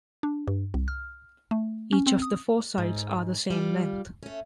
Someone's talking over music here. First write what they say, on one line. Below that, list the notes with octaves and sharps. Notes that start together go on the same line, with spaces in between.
Each of the four sides are the same length.
D4
G2
C2
F6
A3
C#4
C4
D#6
G#2
G3 F4
A3 C#4